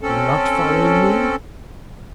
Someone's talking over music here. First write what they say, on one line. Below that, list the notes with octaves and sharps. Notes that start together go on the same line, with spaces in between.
Not following me?
C4 C#4 A4